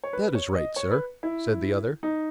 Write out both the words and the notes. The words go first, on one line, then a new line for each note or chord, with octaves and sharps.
"That is right, sir," said the other.
C#5
B4
C#5
D#5
C#5
B4
E4
D#4